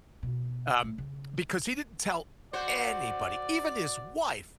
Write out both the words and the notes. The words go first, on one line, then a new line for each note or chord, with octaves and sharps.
um, because he didn't tell anybody, even his wife
B2
A3
C#3
F#4 C5 D5